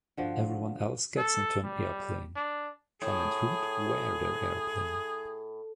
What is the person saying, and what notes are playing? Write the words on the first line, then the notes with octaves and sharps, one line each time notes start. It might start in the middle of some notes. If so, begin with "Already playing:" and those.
Everyone else gets into an airplane; John and Hoot wear their airplane.
D3 F3 F#4
A4
G3
D4
A2 G#4